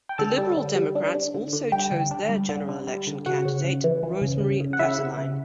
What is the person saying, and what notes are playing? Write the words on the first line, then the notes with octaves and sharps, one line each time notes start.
The Liberal Democrats also chose their general election candidate Rosemary Vetterlein.
G5
D3 A4 A5
G3
D3
G3
D4
D4
D3
D3
G3 G4 G5
D3
D4
G3
D3
D3
G3
D3
C#3 F#4 F#5
C#3
C#3
E3
E3
C#3
C#3
C#3
F#5
C#3 E4 E5
C#3
C#3